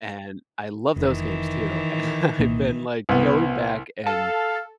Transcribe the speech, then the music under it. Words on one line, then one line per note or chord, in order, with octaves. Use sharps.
And I love those games too, and I've been, like, going back and
F1 D#3 E3
C2 A#2 A#3
C2 B3 B4
A4 F5